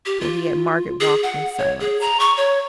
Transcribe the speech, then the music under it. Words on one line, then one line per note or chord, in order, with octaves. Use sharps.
So he and Margaret walked in silence.
G4
F4
G#4
F#5
C#5
G#4
A#5
C#6
C#5